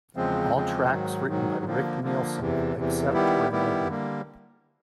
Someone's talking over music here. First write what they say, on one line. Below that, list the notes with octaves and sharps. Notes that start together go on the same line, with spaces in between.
All tracks written by Rick Nielsen, except where noted.
E2 C#3 F3 G#3 C4
E2 C#3 F3 G#3 C4
G#2 D#3 F#3
G#2 D#3 F#3
D3 F3 A#3
D3 F3 A#3
E2 C3 E3
E2 C3 E3
D#3 G3 B3 E4 G4
D#3 G3 B3 E4 G4
D3 G3 A#3